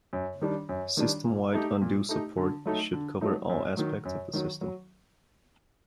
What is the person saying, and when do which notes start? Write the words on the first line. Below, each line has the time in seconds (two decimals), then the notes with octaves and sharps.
System-wide undo support should cover all aspects of the system.
0.13 F#2
0.41 D#3 G3 D4
0.69 F#2
0.97 D#3 G3 D4
1.25 A#2
1.53 A3 D#4 G4
1.82 A#2
2.09 A3 D#4 G4
2.37 D3
2.66 F#3 A3 D#4
2.93 D3
3.21 F#3 A3 D#4
3.50 F#2
3.77 D#3 F#3
4.05 F#2
4.33 D#3 F#3
4.61 F#3